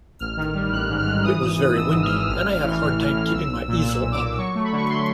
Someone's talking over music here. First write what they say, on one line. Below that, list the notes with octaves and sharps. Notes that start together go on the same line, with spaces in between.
It was very windy and I had a hard time keeping my easel up.
A1 F6
D#3
G3
A1 F#6
G#2
F6
G#2
E3 D#6
G#1
G#1
G#1 E6
G#2
F6
G#1
A1 F6
A1
E3
A2 F6
A1
A2
B1 E6
B1
A#2
A#2 E6
B1
D6
A#2
F#3 C#6
A3
B5
D3 C#6
F#3 C6